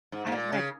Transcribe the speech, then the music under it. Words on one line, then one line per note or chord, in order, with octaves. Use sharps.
I was like
G#2
G#2
A#2
C#3